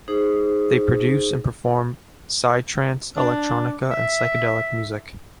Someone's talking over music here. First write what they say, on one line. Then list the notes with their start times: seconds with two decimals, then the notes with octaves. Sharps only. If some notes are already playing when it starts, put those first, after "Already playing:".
They produce and perform psytrance, electronica, and psychedelic music.
0.08 D#4 G#4 C5
3.17 D4
3.91 E5